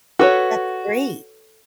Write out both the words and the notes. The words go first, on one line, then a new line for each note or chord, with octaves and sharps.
That's great.
F#4 A4 B4 C#5